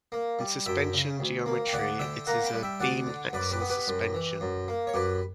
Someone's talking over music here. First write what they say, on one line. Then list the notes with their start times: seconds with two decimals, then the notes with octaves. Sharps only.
In suspension geometry it is a beam axle suspension.
0.12 A#3
0.39 G3
0.66 F#2 E5 G5
0.94 C#3
1.20 D2
1.46 A#3
1.67 G5
1.73 D2 D5 F#5
1.99 D3 E5 G5
2.27 A#3 F#5 A#5
2.44 G5 B5
2.53 G3
2.63 E5 G5
2.80 D2 D5 F#5
3.07 D3
3.33 F#2 B4 D5
3.51 G4 B4
3.60 B3
3.70 G4 B4
3.88 F#2
4.14 E3
4.41 F#2
4.68 A#3
4.87 C#5
4.94 F#2 G4 B4